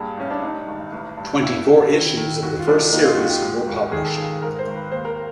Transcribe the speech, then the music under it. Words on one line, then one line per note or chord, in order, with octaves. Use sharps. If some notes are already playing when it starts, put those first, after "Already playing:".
Twenty-four issues of the first series were published.
Already playing: G2 A#2 G#4
A1 C#4
D4
G2 D#4
G#1
A1
G2
D#2 E4
D3
D#3
D#3
C2 F#4
F4
C2 D4
D#4
D#2 D#4
F4
D#2 F#4
G4
G#2
G#1
D#3 G#4
A4
C#2 G#4
G#2 A#4
C5
G#1
B4
D#2 C5
A#4